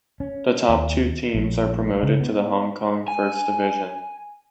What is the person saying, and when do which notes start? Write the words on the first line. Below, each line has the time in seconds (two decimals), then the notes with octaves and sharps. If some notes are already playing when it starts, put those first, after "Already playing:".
The top two teams are promoted to the Hong Kong First Division.
0.20 C#4
0.69 D#2
1.34 A#1
2.03 C#3
2.20 B3
3.08 G#5